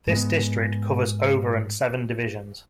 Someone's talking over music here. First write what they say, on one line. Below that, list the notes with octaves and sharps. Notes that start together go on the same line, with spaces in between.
This district covers over and seven divisions.
G#2 G#3 B3